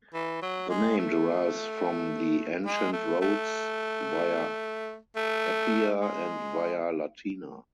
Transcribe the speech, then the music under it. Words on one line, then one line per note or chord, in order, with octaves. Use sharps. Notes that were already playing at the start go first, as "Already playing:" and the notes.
The name derives from the ancient roads Via Appia and Via Latina.
E3
F#3
G#3
A3
G#3
A3
A3
A3
G#3